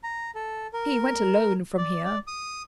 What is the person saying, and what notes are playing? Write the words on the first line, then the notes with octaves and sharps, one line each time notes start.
He went alone from here.
A#5
A4
A#4
D5
D5
D#6